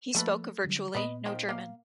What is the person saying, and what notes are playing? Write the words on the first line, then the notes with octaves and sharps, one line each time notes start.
He spoke virtually no German.
F3 A3 A#3 A4 B4
D3 F#3 G3
A#2 B3 B4 D#5
D#3 F3 G5
A#3 F5